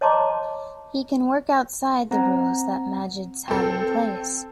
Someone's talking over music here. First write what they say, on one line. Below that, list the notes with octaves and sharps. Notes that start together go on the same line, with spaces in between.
He can work outside the rules that magids have in place.
C#5 D#5 A5 A#5 C6 D6
C4 F#5 A#5
C4 A4